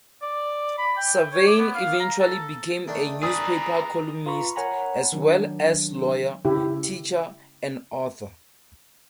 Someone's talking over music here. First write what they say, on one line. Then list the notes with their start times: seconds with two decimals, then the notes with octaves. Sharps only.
Savain eventually became a newspaper columnist, as well as lawyer, teacher, and author.
0.22 D5
0.78 B5
0.97 G5
1.33 C#5
1.47 D6
1.59 B3
1.75 F5
2.00 A#5
2.20 A4
2.88 D#3 A3 D4
3.23 D4 G#4 B4 A#5 D#6
4.26 F4 B4 A#5 B5 C#6
4.56 A#4 C#5 F#5 G#5 A#5 B5
5.12 D#3 F#3 D4
6.45 C#3 E4 G4